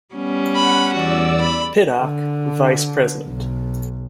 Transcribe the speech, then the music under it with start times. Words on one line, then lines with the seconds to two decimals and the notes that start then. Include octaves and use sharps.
Pittock, vice president.
0.15 G3 B3 C#4
0.55 F#5 B5
0.93 E2 F#4 D5 E6
1.40 B5
2.00 D3
3.26 B1